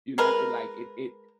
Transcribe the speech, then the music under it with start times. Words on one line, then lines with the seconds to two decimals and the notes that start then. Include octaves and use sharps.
You know, it like it it
0.18 G#3 A#4 B4